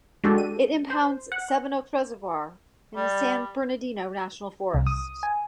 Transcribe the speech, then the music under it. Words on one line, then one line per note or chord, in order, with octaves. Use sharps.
It impounds Seven Oaks Reservoir in the San Bernardino National Forest.
G#3 D4 F#4 G4 A4
D#7
C5
F#5
G3
C2
D#6
G#5